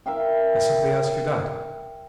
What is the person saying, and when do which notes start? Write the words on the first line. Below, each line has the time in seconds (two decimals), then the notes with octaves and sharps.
I simply ask you that.
0.06 A#4 E5 F5 G5